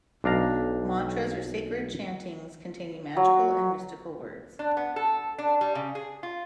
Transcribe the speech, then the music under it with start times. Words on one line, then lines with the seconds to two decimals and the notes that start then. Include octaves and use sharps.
Mantras are sacred chantings containing magical and mystical words.
0.24 B1 D4 F5 A#5
3.17 F#3
4.59 D4
4.77 B3
4.96 A4
5.38 D4
5.61 G3
5.75 C#3
5.95 G#4
6.23 F4